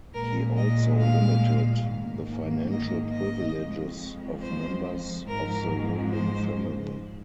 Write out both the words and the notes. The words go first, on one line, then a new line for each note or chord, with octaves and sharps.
He also limited the financial privileges of members of the ruling family.
A#2 G#3 A#4
D#5
F5
G#2 D#3 A#3
D#5
D#5
F2 F3 G#3
C5
G#2 F3 G#3 A#4
C5